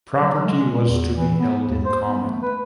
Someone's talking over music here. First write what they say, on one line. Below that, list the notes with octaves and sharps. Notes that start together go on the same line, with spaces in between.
Property was to be held in common.
F#3
G#3
A#2
E2
E3
B3
D#2
C5
B3
A3
B4